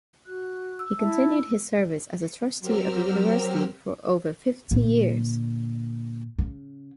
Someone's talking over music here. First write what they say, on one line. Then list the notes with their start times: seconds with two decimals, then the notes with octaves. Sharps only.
He continued his service as a Trustee of the University for over fifty years.
0.26 F#4 F#6
0.79 E6
0.99 E4 E5 A5
2.59 F#3 C4 G4 A#4 E6 F6
4.71 A#2 D3
6.38 C#3